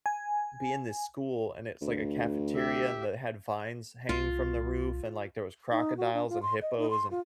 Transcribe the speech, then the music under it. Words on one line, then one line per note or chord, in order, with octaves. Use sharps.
be in this school, and it's, like, a cafeteria and that had vines hanging from the roof, and, like, there was crocodiles and hippos and,
G#5
D2
G4 E5
C2 F4
D#4
F#4
D4
F4
C6
D#5
D#4
C6
F4